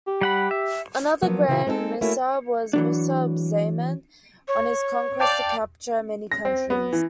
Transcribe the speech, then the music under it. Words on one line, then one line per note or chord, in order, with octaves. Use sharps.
Another Grand Musab was Musab Zaman, on his conquest to capture many countries.
G4
G3 F#5 B5
E5
F3 F#3 A#3 B3
A#2 C#3 E3 B3 E4 F#4
G#3 C4 D#4 E4 A4
A3 A#3 C#4 E4 F#4
E3 F#3 D4
C#5
D5 F5 G5 A5 D6
A#6
C4
B3
E3